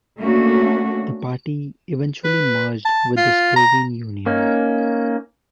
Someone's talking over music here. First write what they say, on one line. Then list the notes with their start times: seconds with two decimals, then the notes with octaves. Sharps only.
The party eventually merged with the Slovene Union.
0.20 A3 A#3 C#4 D4 F#4
2.24 B4
2.85 A5
3.17 F4
3.56 A#5
4.26 A#3 C#4 D#4